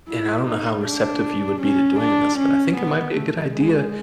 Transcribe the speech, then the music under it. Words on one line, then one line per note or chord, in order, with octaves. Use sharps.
and I don't know how receptive you would be to doing this, but I think it might be a good idea
E4
D#4
D4
C#4
D4
C#4
B3
A3
G#3